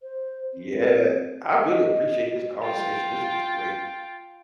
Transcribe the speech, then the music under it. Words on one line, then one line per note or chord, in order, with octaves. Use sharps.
Yeah. I really appreciate this conversation. This was great.
C5
C4
D#5
F4 G5